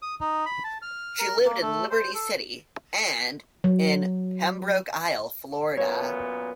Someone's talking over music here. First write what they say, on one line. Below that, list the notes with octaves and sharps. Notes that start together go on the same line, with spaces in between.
She lived in Liberty City and in Pembroke Isle, Florida.
D#6
D#4
B5
A5
F6
A#4
A#3
A3
C5
A4
F#3
F#2 A#2 B3 C#5 E5